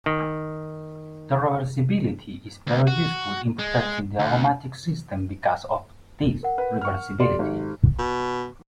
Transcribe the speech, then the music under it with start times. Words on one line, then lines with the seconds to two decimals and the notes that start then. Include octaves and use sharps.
The reversibility is very useful in protecting the aromatic system because of this reversibility.
0.06 D#3
2.67 D2
2.87 F#4
3.59 G#3
4.19 D2
6.43 A#4 F#5
6.58 B4
6.81 C#6 F6
7.20 G4 A4 D5 C6
7.39 G#1
7.99 B2